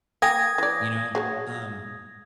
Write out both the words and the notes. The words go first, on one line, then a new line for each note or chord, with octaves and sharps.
you know, um,
A#3 G5 G#5 D#6 G#6 A#6
E3 D5
F#3 G#4 C#5